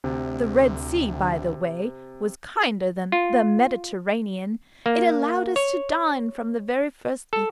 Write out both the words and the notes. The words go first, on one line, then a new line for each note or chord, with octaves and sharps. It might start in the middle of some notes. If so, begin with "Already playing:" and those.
The Red Sea, by the way, was kinder than the Mediterranean: it allowed us to dine from the very first evening.
D2 C3
F4
A#3
C#5
A4